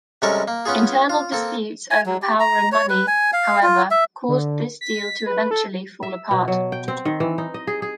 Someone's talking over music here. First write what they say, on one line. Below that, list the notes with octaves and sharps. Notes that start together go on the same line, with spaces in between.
Internal disputes over power and money, however, caused this deal to eventually fall apart.
C3 G3 G#3 C#4 A4 A#4
A#3
B3 C#4 F4 G#4
F4
A#3 C4 A4
G#5
F#3
G4
A#5
C#5
B4
G#5
F5
F4
E5
D3
B6
B4
A4
E5
B2
F#3
G5
C4
D#3
E3
D#4
D#5
G#4
G#4